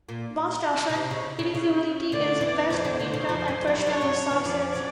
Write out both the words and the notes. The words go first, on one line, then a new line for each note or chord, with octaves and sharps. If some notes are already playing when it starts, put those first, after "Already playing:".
Most often, eligibility is based on income and personal resources.
A#2
C#3
C3
C#3
C#3
C#3
D2 D3 D5
E2 E3
F2 F3 C5
E2 E3
D2 D3
C#3
F2 F3
F#2 F#3
F#2 F#3
G3
F#2 F#3 C#5
F#2 F#3
E2 E3
F2 F3 D5
F#3